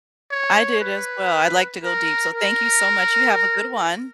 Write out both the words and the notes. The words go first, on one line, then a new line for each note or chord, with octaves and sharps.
I did as well. I'd like to go deep. So thank you so much. You have a good one.
C#5
B4
A#4
A#4